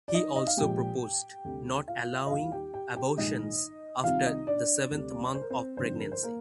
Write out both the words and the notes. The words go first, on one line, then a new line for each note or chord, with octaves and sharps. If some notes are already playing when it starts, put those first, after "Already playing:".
He also proposed not allowing abortions after the seventh month of pregnancy.
D5
D#4 D#5
D#5
F5
A#1 A#2 F3 G#3 G4 G5
D2 C3 G3
F4 F5
D#5
D#2 D#3 G3 F4 F5
G4 G5
G4 G5
G4 G5
A#1 G#2 D#3 G#3 D#4 D#5
C2 C3 D#3 G3 F4 F5
D#4 D#5
D4 D5
D2 C3 G3
C5
A#4
C4 C5
G#1 G2 D3 F3 C4 C5
A#4
C5
A#3 A#4